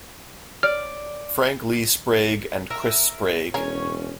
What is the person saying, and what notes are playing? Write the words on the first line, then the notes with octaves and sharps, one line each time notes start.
Frank Lee Sprague and Chris Sprague.
D5 F6
A#4 E5
E1 C#4 G#4 A#4 C#5